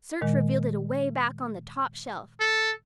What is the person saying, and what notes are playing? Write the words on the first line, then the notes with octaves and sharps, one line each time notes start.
Search revealed it away back on the top shelf.
A#2 D#3 G#3
A4